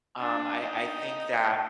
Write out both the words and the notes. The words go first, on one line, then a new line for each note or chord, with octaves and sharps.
um, I I think that
D4
D#4